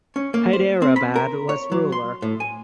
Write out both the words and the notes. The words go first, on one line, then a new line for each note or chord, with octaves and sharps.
Hyderabad was ruler.
C#4
A#3
C5
C4
B5
A#4
C#5
F#3
C6
A2
G#5